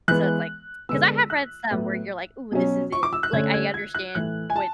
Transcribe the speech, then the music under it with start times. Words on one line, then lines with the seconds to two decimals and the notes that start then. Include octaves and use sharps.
so it's like 'cause I have read some where you're like, "Ooh, this isn't" Like, I understand what,
0.08 E3 G#3 B3 F#6
0.89 D3 G#3 B3 E6
1.30 F#6
1.71 A2 F#3 B3
2.52 B2 F#3 C#4
2.92 C#6
3.03 D6
3.13 E6
3.23 F#6
3.33 D3 A3 C#4 G#6
3.54 G#6
3.74 G#6
3.95 F#6
4.15 A2 E3 A3 F#6
4.50 G#5
4.56 A5